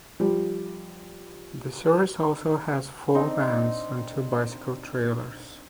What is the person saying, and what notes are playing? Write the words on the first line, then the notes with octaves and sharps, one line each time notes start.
The service also has four vans and two bicycle trailers.
F3 G3
C4 D4 D#4